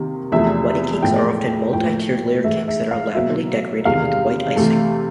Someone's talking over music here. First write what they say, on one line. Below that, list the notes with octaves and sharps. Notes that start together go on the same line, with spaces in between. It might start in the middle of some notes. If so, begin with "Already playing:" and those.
Wedding cakes are often multi-tiered layer cakes that are elaborately decorated with white icing.
Already playing: C3 D#3 A#3
E2 C3 F3 A3 E5
A2 F3 G#3 B3 G5
A2 F3 A#3 G5
G#2 E3 A3 E5
E5
F5
B2 F#3 A#3 E5
E2 C3 D#3 G#3 F5
C3 E3 A3